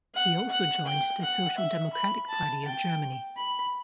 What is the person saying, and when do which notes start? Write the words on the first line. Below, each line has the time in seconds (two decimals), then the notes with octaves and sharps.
He also joined the Social Democratic Party of Germany.
0.15 F#5
0.50 F#5
0.86 G5
1.22 F#5
1.57 E5
1.93 B5
2.29 A5
2.65 G5
3.36 B5